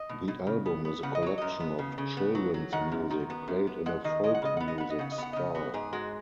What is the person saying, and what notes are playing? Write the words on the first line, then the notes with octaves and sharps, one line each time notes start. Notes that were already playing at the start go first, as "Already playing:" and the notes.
The album is a collection of children's music played in a folk music style.
Already playing: D#5
B2
B2
C#3
B3
B3
C#3 F#5
D#5
F#3 C#5
F#2 D#5
B3
C#3
C#3
B3
F#3
F#3
D#3 F#5
F#2
D#3
B3
F#2
B3
G#3 F#5
D#3 D#5
G#3 D#5
F#5
C#3 D#5
B3 F#5
D#5
B3 F#5
D#5
C#3 F#5
D#5
B3 F#5
C#3 D#5
B3 F#4
G#2 G#4
G#3 F#4